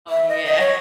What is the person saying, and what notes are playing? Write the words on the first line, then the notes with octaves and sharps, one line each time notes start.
Oh, yeah.
E5
D#5
D#5
C#5